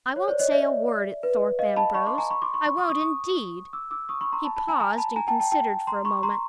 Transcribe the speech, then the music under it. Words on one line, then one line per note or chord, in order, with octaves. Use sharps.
"I won't say a word at Thorpe Ambrose, I won't indeed!" He paused, and considered for a moment.
C#5
C5 D5
C#5 D#5
D5 E5
B4
D#5 F5
A5 B5
B5 C#6
C6 D6
G#5 A#5
B5 C#6
C6 D6
B5 C#6
B5 C#6
C#6 D#6
C#6 D#6
C#6 D#6
D6 E6
D6 E6
C#6 D#6
B5 C#6
A#5 C6
A5 B5
A5 B5
G#5 A#5
G#5 A#5
A5 B5
G#5 A#5
G5 A5
G5 A5
G5 A5
A#5 C6
B5 C#6
A#5 C6